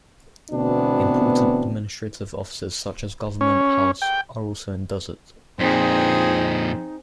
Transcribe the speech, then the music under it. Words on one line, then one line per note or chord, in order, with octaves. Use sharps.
Important administrative offices such as Government House are also in Dusit.
D2 B2 E3 B3 C4 D4
C#4
G5
F2 A#2 C4 D#4 G#4